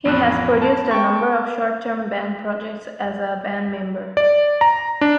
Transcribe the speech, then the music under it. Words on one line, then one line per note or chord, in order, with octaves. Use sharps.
He has produced a number of short-term band projects as a band member.
A1 F2 B3 F#6
A5
G5 A5 C#6
D5
A#5
D4